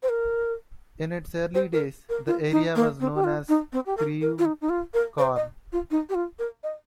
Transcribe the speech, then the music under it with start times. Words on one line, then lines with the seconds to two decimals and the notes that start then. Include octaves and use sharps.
In its early days, the area was known as Crewcorne.
0.03 C5
0.09 A#4
1.55 C5
1.73 A#4
2.09 A#4
2.27 F4
2.51 D#4
2.75 A#3
3.00 C4
3.15 G4
3.24 F4
3.49 D#4
3.73 C4
3.86 G4
3.97 A#4
4.21 A#4
4.39 F4
4.45 D#4
4.61 D#4
4.69 F4
4.94 A#4
5.18 C5
5.36 D#5
5.72 F4
5.91 D#4
6.09 G4
6.15 F4
6.39 A#4
6.63 D#5